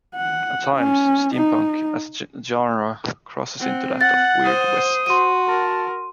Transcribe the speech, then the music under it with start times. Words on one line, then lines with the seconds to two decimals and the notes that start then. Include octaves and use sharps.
At times, steampunk as a genre crosses into that of weird west.
0.16 F#5
0.75 C#4
1.34 D#4
3.60 C4 F#5
4.01 F#5 F#6 A6
4.45 C5 D#6
5.06 F#4 C6 D#7
5.48 A#4 A5